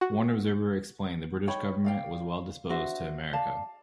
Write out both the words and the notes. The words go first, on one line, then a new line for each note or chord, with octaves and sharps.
As one observer explained, the British government was well disposed to America.
F#4
D#4 C#5 G5 B5
D5 F5 G5
D4 F#4 C5 E5
D5 F5 A5